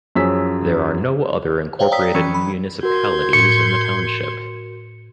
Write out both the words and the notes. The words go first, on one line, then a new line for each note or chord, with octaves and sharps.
There are no other incorporated municipalities in the township.
F#2 F3 C#4 G#4 E6 B6
C5 C#5 F5 G5
D5 G5 A#5 D#6 E6 B6
E3 C#4 C#6
B5
F#4 A#4 C6 G6 G#6
A2 C#7